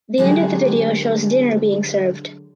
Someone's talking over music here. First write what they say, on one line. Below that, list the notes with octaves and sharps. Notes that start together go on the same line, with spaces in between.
The end of the video shows dinner being served.
D3 F#3 G#3 G4 G#4